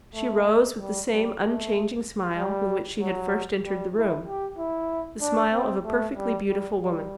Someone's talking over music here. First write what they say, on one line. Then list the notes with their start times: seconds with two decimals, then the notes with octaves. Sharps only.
She rose with the same unchanging smile with which she had first entered the room--the smile of a perfectly beautiful woman.
0.15 A3
0.79 G3
1.11 G3
1.41 A3
2.37 G3
3.00 F#3
3.64 G3
3.95 E4
4.26 G4
4.58 E4
5.21 D4
5.53 C4
5.85 A3
6.16 G3
6.47 G3
6.80 G3